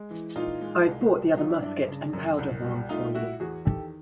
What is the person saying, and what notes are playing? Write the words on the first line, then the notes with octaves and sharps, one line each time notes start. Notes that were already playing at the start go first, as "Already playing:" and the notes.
I've brought the other musket and powder-horn for you.
Already playing: G#3
E3
A#2 D#4 F4
G#3
C2
G3
F#3 D#4 F4
D4 E4
G2 D4 E4
C#3
F#2
C2
G3
A3 D#4 F4
A2 E4 F#4
E2 F#4 G#4
D#3 G4 A4